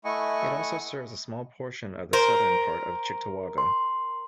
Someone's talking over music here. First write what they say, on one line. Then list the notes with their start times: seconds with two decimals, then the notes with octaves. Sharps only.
It also serves a small portion of the southern part of Cheektowaga.
0.05 A3 E4 D#5 F#5 G#5 C#6
2.13 A#4 C5
3.58 C6